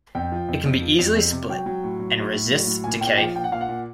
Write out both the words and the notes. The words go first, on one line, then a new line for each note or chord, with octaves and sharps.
It can be easily split and resists decay.
F2 G5
F3
F2
F2
F3
F2
F2
C3
F#3 G5
F#3
A2
F#3
A2
A2
F#3
A2
A#2 G#5
A#2 G5
F3 G5
A#2 G5
F#5
A#2 F5
F#5
A#2